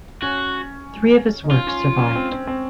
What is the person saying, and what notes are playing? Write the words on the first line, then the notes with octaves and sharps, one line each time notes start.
Three of his works survived.
C#4 F#4
D#4
C#4 F4
C#4
C#4
C4
C4
C4